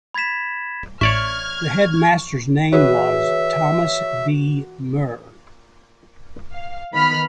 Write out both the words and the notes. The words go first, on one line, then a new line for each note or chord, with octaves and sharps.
The headmaster's name was Thomas B Muir.
B5 G#6 A6 B6 E7
A1 C#5 D5 E5 C#6 F6 G#6
E3 F#4 G#4 B4 C#5 E5
F5
D#3 B3 B5 F6